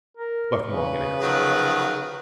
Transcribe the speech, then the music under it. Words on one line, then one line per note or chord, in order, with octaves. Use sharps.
Buck Mulligan answered.
A#4
C#3 B4
D#3 F3 F#3